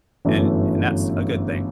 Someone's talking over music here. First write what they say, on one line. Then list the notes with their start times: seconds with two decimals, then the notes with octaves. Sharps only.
and and that's a good thing.
0.25 G1 F#2 E3 A3